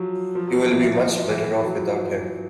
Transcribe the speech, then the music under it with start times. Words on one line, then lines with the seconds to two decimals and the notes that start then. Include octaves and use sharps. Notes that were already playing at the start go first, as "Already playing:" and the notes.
You will be much better off without him.
Already playing: F3 F#3
0.35 F3
0.47 F#3
0.59 F3
0.70 E3
0.82 E3
0.93 F3
1.05 F3
1.16 F3
1.28 E3
1.40 E3
1.63 F#3
1.74 F3